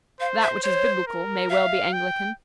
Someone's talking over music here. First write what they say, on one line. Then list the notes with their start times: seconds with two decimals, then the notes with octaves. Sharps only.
That which is biblical may well be Anglican.
0.20 C5 F5
0.42 E5
0.64 C5 C#5
1.07 A#4
1.50 E5 F5
1.93 G5